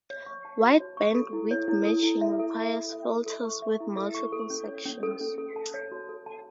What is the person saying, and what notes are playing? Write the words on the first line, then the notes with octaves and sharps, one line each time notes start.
Wide bandwidth matching requires filters with multiple sections.
C#5
C#6
A5
F#4
C#5
C#6
A4
E4
C#5
E4
A4
E4
E5
A4
B5
A4
E5
A4
A4
C#6
E5
E4
A4
C#6
A4
C#4
C#5
C#4
A4
C#4
A4
A5
C#5
F#4
A4
A5